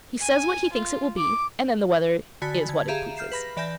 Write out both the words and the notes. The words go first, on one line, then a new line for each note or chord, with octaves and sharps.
He says what he thinks it will be and then the weather is what it pleases.
G#5
F4
D6
D3 F#4 G#5 B5 A6 B6
D3 G#6
G4 G#4 E5 F5 A#5 E7
F6 G6 C7 E7
B4 B5 A#6
E3 D5 E5 G#5 G6 A#6